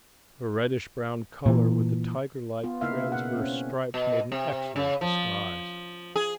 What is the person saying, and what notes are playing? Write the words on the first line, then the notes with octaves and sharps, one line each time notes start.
Her reddish-brown colour with the tiger-like transverse stripes made an excellent disguise.
A#2 E3
B3 F4
C#3 A#3 D#4 E4 E5 F5
B2 F#5
C4 C#4
B2
C3
C#3
F3
G#4